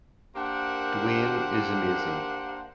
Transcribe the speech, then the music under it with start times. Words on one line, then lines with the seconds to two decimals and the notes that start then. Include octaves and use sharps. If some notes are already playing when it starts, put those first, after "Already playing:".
Dwayne is amazing.
0.36 A#3 D4 G4 A#4 C5 F#5